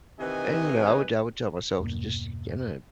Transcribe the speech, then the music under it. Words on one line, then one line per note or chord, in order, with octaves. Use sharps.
and, you know, I would I would tell myself to just kinda,
C3 D#3 E3 B4 D#5 G#5
E2 G2 B2 A#3